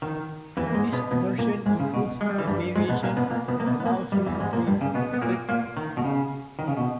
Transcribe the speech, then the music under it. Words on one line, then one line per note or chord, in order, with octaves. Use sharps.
This verison includes a variation that allows you to play "Berzerk".
D#3
E2 E3
A#3
G#2 G#3
B2 B3
B2 B3
A#2 A#3
G#2 G#3
C#3
B2
G#3
G3
E3
G2 G3
G#2 G#3
B2 B3
A#2 A#3
B2 B3
A#2 A#3
B2 B3
A#3
B2 B3
B3
A#2 A#3
G2 G3
E2 E3
G3
G#2 G#3
A#2 A#3
G2 G3
C#3
B2 B3
B3
A#2 A#3
A#2 A#3
D#3
B2
C#3
D#3
C#3
B2